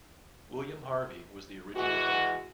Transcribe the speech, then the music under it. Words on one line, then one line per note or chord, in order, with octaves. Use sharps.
William Harvey was the original owner.
E3 G#3 F#4